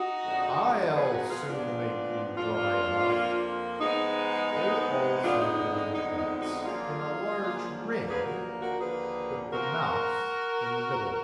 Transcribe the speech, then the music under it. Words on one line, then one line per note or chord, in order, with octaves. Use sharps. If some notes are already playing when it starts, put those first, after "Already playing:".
I'LL soon make you dry enough!' They all sat down at once, in a large ring, with the Mouse in the middle.
Already playing: D#4 F#4
F2 D3 G#3
G#2 F3 B3 G#4 B4
F#4 A#4
F4 G#4
D4 F4
G#2 F3 B3
F2 F3 A#3 D4 F4
F2 F3 A#3
G#2 F3 G#3 B3 D#4
G#2 F3 G#3 B3
F2 D3 G#3 B3 D4 F4
D#4
D#4
D#4
F2 D3 G#3 B3 D#4
D#4
D#4 F#4
F#2 D3 F3 A#3 F4 G#4
F#2 D3 F3 A#3
D#2 D3 F3 A#3 G#4 B4
F#4 A#4
F#4 A#4
D#2 D3 F3 A#3 G#4 B4
G#2 F3 A#3 F#4 A#4